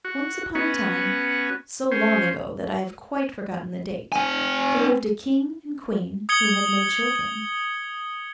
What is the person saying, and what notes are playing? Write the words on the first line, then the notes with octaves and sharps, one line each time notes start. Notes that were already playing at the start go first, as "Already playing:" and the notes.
Once upon a time, so long ago that I have quite forgotten the date, there lived a king and queen who had no children.
F#4
B3 C#4 F#4
C#4 C5
C4 G#5
D#6 G#6 C#7 F#7 G7